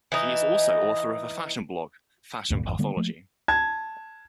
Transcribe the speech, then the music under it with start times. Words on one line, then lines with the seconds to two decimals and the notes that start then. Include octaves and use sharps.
He is also author of a fashion blog, Fashion Pathology.
0.12 E3 D#4
2.50 D2 G2 A#2
2.63 G1 E2
2.79 D3 G3 A#3 B3
2.97 F3 A3 A#3
3.48 A5 G#6